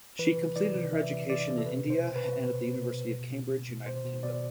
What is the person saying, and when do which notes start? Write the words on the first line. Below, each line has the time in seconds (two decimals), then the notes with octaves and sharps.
She completed her education in India and at the University of Cambridge, United Kingdom.
0.19 E3 B4
0.37 C3
0.56 E3 D5
0.75 C3
0.93 E3 E5
1.12 C3
1.30 E3 D5
1.48 C3
1.58 A4
1.66 B2 B4
1.85 B2
1.90 C5
2.03 B2
2.16 B4
2.21 B2
2.40 B2
2.58 B2
2.77 B2
2.94 B2
3.14 B2
3.31 B2
3.50 B2
3.68 B2
3.86 B2 C5
4.04 B2
4.23 B2 D5